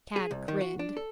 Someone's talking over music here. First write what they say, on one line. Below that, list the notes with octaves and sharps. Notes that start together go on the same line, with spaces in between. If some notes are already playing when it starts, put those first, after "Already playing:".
Tad grinned.
G#4
C2
D#3
F#4
D4
A4